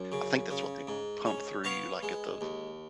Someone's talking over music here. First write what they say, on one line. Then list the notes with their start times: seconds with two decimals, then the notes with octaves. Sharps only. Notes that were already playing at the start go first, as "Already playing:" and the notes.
I think that's what they pump through you, like, at the f
Already playing: F#2
0.12 C#3
0.50 C#3
0.87 G#2
1.26 C#4
1.64 B3 C#5 F5
2.02 G#3
2.41 D#2